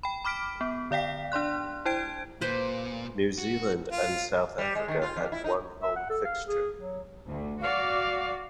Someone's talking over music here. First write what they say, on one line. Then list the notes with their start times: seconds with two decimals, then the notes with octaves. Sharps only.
New Zealand and South Africa had one home fixture.
0.03 G5 B5
0.25 B5 D6 F6 B6 D7
0.61 B3
0.91 D3 D5 F5 G5 B6
1.32 D4 D5 C6 F#6
1.85 E4 C5 G5 G#6 D7
2.41 A#2 B4 C5
3.38 F#4
3.92 F4
4.58 G3
4.75 G#3
4.88 D#3
5.02 F4
5.17 F2
5.32 E4
5.44 D#4
5.83 E5
5.96 F#5
6.10 A4
6.24 F5
6.47 G#4
6.78 F#3
7.28 D2
7.61 F#4 D5 F5